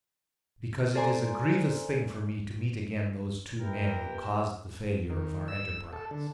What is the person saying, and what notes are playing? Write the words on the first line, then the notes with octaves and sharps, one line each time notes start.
"Because it is a grievous thing for me to meet again those two men who caused the failure of our enterprise."
A4 C5 D5 G#5 A#5 C6
A#2 G4 A#4 B4 E5 G5
D#3
E6
A4
D3